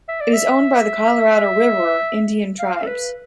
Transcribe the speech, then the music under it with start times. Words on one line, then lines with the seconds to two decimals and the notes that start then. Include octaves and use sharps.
It is owned by the Colorado River Indian Tribes.
0.09 E5
0.21 D5
0.33 E5
2.59 F5
2.83 A4
2.87 B4